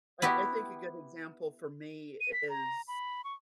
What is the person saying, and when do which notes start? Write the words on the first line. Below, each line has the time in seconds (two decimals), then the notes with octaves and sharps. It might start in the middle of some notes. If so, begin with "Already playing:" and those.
I I think a good example for me is
0.22 B3 E4 F#4 G4
2.21 D#7
2.33 B6
2.50 A#5
2.88 B5
3.24 C#6